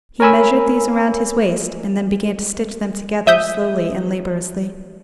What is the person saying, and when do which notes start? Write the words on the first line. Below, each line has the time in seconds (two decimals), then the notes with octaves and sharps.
He measured these round his waist, and then began to stitch them together, slowly and laboriously.
0.20 A#4 C#5 G#5 B5 E6
3.27 E5 D#6 G6